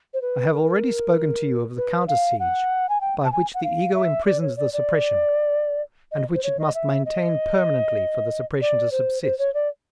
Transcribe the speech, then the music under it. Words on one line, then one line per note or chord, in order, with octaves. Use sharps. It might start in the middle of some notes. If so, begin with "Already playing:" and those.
I have already spoken to you of the counter siege by which the ego imprisons the suppression and which it must maintain permanently for the suppression to subsist.
C5
B4
A#4
B4
F5
F#5
G#5
G5
A5
G#5
F#5
F5
E5
D5
C#5
D5
D5
D#5
C5
C#5
D#5
E5
D#5
D5
C5
C5
C#5
D5